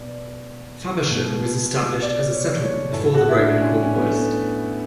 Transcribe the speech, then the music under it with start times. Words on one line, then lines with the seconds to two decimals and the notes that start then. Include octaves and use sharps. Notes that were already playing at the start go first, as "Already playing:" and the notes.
Faversham was established as a settlement before the Roman conquest.
Already playing: B2 D5
1.10 B2
2.01 D5
2.32 C#5
2.62 C#5
2.92 A2 E3 A4
3.15 F#4
3.29 E4
3.38 D4
3.60 C#4
3.83 C#4
3.94 B3
4.04 A3
4.14 B3